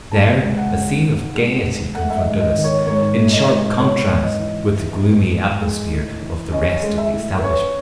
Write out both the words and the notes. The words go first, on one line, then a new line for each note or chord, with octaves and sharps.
There a scene of gayety confronted us, in sharp contrast with the gloomy atmosphere of the rest of the establishment.
G#3 A5
C#2
F#5
C#3
D#4
G#3
C#2
A3 F#5
E5
D#5
G#2
D#5
D#3
C#5
G#2 C#5
A3
D#5
C#5
G#2 D#5
B3 C#5
G#2
D#5
E3
E4
B3
G#2
G#3
A2
E3
C#4 D#5
G#3
E5
A2
B4
C#4 C#5